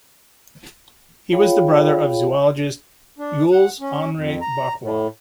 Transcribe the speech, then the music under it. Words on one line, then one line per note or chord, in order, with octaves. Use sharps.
He was the brother of zoologist Jules Henri Barrois.
F4 G#4 C#5 F5 G5 B5
D4
F#5
C#4
F2
A#5
A2